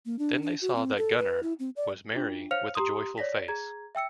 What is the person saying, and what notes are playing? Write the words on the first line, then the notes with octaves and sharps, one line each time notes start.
Then they saw that Gunnar was merry, with a joyful face.
A#3
D4
D4
F#4
C4
A4
B4
E4
C4
D5
D4 F4
C5 C#5 F5 F6 C#7 F7
G4 A#5 C6 D#6
C#5 D5 A#6 B6
G#4 A#5 G#6
E5 G5 E6 C#7